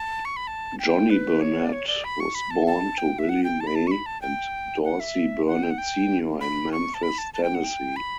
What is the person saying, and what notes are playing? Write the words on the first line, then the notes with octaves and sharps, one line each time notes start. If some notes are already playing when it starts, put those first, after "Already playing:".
Johnny Burnette was born to Willie May and Dorsey Burnett Senior in Memphis, Tennessee.
Already playing: A5
C#6
B5
A5
G5
B4
C#5
D5
C#5
D5
B5
C#6
B5
A5
A5
G5
E5
F#5
G5
A5
B5
A5
C#6
B5
A5
G5
F#5
E5
F#5
G5
F#5
G5
B5
C#6
A5
B5
A5
A5
G5
F#5
G5
B5